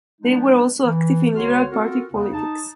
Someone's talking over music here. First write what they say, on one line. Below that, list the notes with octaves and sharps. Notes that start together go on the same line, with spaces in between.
They were also active in Liberal party politics.
F3 G3 G#3 B3 D4 D#4
E3
C#2 D3 F#4 C#5 C6 F6
C4 F4 F#4 A4 A#4
E2 C#3
D#4 A5